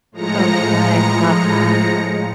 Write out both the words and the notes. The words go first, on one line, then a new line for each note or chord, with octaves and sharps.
Oh my god. I love that.
A2 F3 G#3 A#5 A#6 C#7